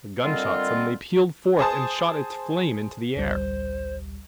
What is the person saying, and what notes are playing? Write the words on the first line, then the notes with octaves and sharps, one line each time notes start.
A gunshot suddenly pealed forth and shot its flame into the air.
D3 D#3 G3 C4 F4
G#4 C5 A5 D#6
A1 D2 G3 C5